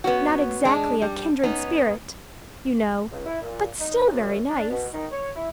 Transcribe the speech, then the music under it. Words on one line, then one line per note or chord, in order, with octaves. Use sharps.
Not exactly a kindred spirit, you know, but still very nice.
B3 C#4 F#4
G#3 D4
G3
B3 C#4 D#4
C#2
E4
A#2
D#4
F#2
D4
B2
D#3
C#5
E4